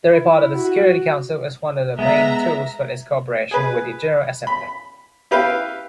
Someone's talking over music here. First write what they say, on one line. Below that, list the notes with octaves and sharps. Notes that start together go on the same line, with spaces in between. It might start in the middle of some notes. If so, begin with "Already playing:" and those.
The report of the Security Council is one of the main tools for its cooperation with the General Assembly.
E4
F#4
G#3 B3 E5 A#5
G#4 B4
B5
E4 G4 B4 F5